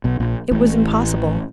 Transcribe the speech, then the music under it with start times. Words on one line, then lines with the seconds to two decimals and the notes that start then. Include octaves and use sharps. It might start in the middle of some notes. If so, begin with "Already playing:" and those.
It was impossible?
0.04 B1 B2
0.20 A#1 A#2
0.51 A1 A2